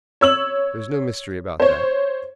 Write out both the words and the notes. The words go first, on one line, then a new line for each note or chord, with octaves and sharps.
There is no mystery about that.
C#5 E6 F#7
C5 C#5